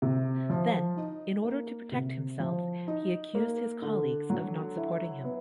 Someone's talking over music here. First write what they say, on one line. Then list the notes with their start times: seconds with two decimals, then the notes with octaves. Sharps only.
Then, in order to protect himself, he accused his colleagues of not supporting him.
0.02 C3
0.49 F3
0.97 D#4
1.44 A#3
1.92 C3
2.40 F3
2.88 D#4
3.35 A#3
3.82 D3
4.30 F#3
4.77 E4
5.24 B3